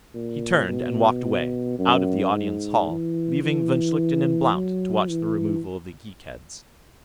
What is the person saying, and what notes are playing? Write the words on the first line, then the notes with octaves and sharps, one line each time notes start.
He turned and walked away, out of the Audience Hall, leaving von Schlichten and Blount to watch the removal of the geek-heads.
A#2
B2
F#2
G#2
E3
E3
F#3
E3